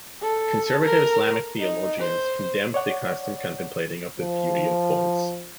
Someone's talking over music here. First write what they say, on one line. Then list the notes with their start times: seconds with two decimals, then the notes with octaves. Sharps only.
Conservative Islamic theologians condemned the custom of contemplating the beauty of boys.
0.22 A4
0.82 A#4
1.59 D#4
2.00 C5
2.74 C#5 D5 F#5
4.19 F3